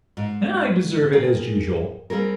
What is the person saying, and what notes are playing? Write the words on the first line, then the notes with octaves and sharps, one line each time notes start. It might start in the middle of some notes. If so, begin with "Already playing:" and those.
And I deserve it, as usual!
G#2
G#4 A#4 G5
G3 C4 G#4 A#4